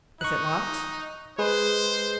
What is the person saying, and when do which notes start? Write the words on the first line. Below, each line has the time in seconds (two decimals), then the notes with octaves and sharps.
"Is it locked?"
0.21 D#4 C#6 F#6
1.39 G#3 G#4 B4 C5